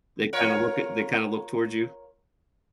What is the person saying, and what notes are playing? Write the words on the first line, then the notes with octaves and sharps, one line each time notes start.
they kinda look at they kinda look towards you
F4 A#4 C#5